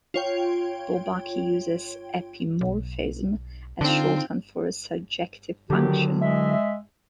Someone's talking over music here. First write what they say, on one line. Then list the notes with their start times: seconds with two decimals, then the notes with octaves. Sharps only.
Bourbaki uses "epimorphism" as shorthand for a surjective function.
0.14 F4 C#5 G5
2.61 B1
3.81 D3 C4 D#4 F4
5.70 D3 D#3 F#3 G4
6.21 G#3 E5